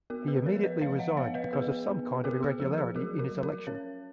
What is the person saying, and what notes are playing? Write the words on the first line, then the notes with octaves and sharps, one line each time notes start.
He immediately resigned because of some kind of irregularity in his election.
B3 F#4 A#4
G#4 B4
F3 A#4 C#5
B4 D#5
F3 C#5 F5
D#5 F#5
B3 C#5 F5
B4 D#5
B3 G#4 B4
B3
B3 F#4 A#4
G#4
F3 G#4
G#4
F#3 F#4 A#4
F#4 A#4
F#3
F#4 A#4
C#4 A#4 C#5